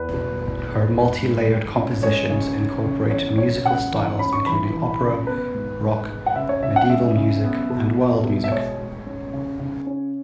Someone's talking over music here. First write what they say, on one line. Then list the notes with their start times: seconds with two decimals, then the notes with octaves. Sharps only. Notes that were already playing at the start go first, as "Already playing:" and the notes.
Her multi-layered compositions incorporate musical styles including opera, rock, Medieval music, and world music.
Already playing: E2 B4
0.14 B2
0.41 E2
0.68 E2
0.95 G#2
1.22 G#2
1.49 G#2
1.76 C#4
2.02 G#3 C#5
2.30 C#3
2.57 C#3
2.84 C#3
3.11 E3 C#5
3.38 C#4 C#5
3.65 C#3 F#5
3.92 E3
4.19 C#4 B5
4.33 C#6
4.46 E3 B5
4.73 E3
5.00 C#3
5.27 B3 B4
5.54 G#2
5.81 G#2
6.08 G#3
6.26 F#5
6.36 C#3 E5
6.49 C#5
6.63 C#3 E5
6.76 F#5
6.90 G#3 E5
7.16 C#3
7.44 B3
7.70 B2
7.98 B3
8.25 B2
8.44 E5
8.52 G#3 C#5
8.79 G#3
9.06 C#4
9.33 C#3
9.60 C#3
9.87 C#4